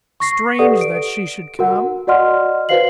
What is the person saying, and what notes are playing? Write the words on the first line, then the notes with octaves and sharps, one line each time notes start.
Strange that she should come!
C#6 A#6 C7
G4 A4 B4 D5 F#5 D#6
D7
F#4 A#4 F#5
F#4 D5 D#5 F#5 C6 F6
F#4 B4 C5 F5 C7 F#7